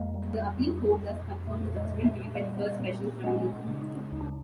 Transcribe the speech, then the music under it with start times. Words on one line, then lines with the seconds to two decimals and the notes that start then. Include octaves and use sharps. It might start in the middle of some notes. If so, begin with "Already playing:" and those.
The appeal court thus confirmed the judgement given by the First Special Criminal Court.
Already playing: F2 G#3 A#3
0.14 G3
0.59 F2
1.02 F2
1.47 A#2 A3
1.77 G#3
1.85 A3
1.91 A#2 G#3
2.06 A3
2.35 G3 G#3 A#3
2.57 A3 B3
2.79 A#2 A#3 C4
3.01 A#3 C4
3.24 G#3 B3 C#4
3.68 C#3 D4
3.82 D#4
3.95 C4 D4
4.12 D2 D#4
4.21 D4